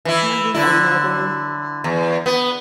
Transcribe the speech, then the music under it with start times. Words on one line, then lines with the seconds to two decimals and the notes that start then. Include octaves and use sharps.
having another
0.05 E3 E4
0.54 D3 E4
1.84 E2
2.26 B3